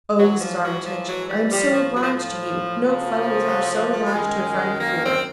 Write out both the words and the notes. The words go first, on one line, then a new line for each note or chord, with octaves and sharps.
"Oh, Mrs. Armitage, I am so obliged to you! no fellow was ever so obliged to a friend before."
G#2 E3 F#3
F3
F#3
F3
F#3
G3
A2 F3 G3
F3
F#3
F3
F3
D2 C#3 F3
F#3
A3
G3
F#2 D#3 G#3
A#3
C4